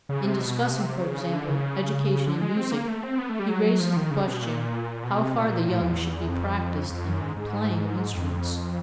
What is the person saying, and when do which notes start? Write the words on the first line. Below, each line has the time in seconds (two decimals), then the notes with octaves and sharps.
In discussing, for example, education in music he raises the question how far the young should be practiced in the playing of instruments.
0.09 C#3
0.24 C3
0.39 B2
0.71 C3
1.02 C#3
1.33 D3
1.48 C#3
2.26 D3
2.41 G#3
2.57 C4
2.71 A#3
2.88 A3
3.03 C4
3.18 B3
3.29 A3
3.39 G3
3.49 F#3
3.80 F3
3.96 D#3
4.11 C#3
4.27 B2
4.42 A#2
5.04 B2
5.20 C3
5.36 A#2
5.67 A2
5.82 E2
6.28 F2
6.90 F2
7.05 F#2
7.21 G#2
7.37 G#2
8.14 F2